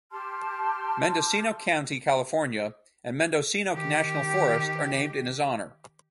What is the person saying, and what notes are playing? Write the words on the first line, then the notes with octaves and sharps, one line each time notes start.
Mendocino County, California and Mendocino National Forest are named in his honor.
G4 A5 C6 F6
D#3 G4